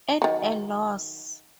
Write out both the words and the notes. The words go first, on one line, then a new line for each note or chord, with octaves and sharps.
At a loss.
D#3 F#3